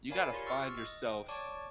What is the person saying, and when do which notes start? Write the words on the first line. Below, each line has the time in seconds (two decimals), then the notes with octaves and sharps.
You gotta find yourself
0.10 A#4 C#5 D5 F5 G#5 B5
0.33 F4 G4 C6 C7 C#7
0.46 C#6 E6 F6 A6
0.77 D#5
1.11 G5
1.28 C#5 D5 A5 C#6 D6